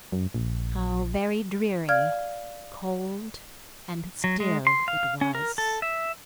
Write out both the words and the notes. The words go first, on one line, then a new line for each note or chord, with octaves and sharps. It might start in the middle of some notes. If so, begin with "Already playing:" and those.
How very dreary, cold, and still it was!
F#2
A#1
D5 F5 F6 G#6
F#3
G#3
C6
F5
C#4
A#4
A4
E5